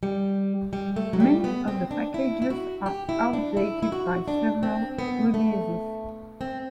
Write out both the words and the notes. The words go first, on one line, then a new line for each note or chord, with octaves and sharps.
Many of the packages are outdated by several releases.
G3
G3
A3
F#3
G3
B3
C4
D4
E4
E4
F#4
G4
E4
D4
E4
E4
F#4
D4
C4
B3
A3
C4